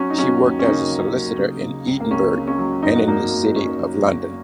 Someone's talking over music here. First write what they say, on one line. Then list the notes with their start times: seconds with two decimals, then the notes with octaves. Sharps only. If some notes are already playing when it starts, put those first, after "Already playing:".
She worked as a solicitor in Edinburgh and the City of London.
Already playing: F#3 C#4 F#4
0.10 D#4
0.18 F#3 C#4 F#4
0.42 D#2
0.59 C#4
0.66 C#3 A#3 D#4
0.90 F#3
1.14 F#3
1.38 C#3
1.63 C#3
1.86 C#2
2.00 A#3
2.11 C#2 C#4
2.35 C#3
2.47 C#4
2.59 F#3
2.82 F#2 D#4
2.96 F#4
3.08 G#1 A#3 D#4
3.31 F#2
3.48 D#4
3.55 F#2 C#4
3.79 F#3
4.03 F#2